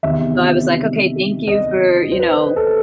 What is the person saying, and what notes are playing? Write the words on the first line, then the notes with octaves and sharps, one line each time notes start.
So, I was, like, okay, thank you for, you know?
E2 C3 D#3 E5
D#5
C5
B4
A4